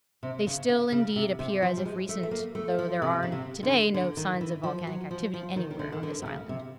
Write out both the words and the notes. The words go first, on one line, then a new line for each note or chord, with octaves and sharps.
They still, indeed, appear as if recent, though there are to-day no signs of volcanic activity anywhere on this island.
C3
C#3
C#3
C#3
C3
C3
F3
G3
G#3
A3
A3
A#3
A3
F3
C3
C#3
C3
D3
D3
D#3
E3
F3
F#3
F3
F3
D#3
D#3
D3
D#3
D3
C3
C#3
C3